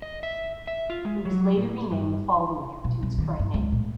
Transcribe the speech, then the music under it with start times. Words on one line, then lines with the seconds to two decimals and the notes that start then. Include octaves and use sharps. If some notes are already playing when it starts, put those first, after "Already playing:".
It was later renamed the following year to its current name.
0.02 D#5
0.23 E5
0.67 E5
0.90 F4
1.05 G#3
1.25 F#3
1.57 A2
1.91 G2
2.84 B2
3.03 C2
3.18 D#3
3.39 G2
3.54 C#2
3.72 A2